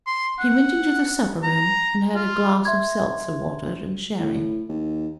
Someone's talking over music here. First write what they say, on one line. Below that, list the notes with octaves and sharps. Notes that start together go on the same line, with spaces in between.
He went into the supper-room, and had a glass of seltzer water and sherry.
C6
F#5
A#5
F4
E5 C6 G#6
A2
D#2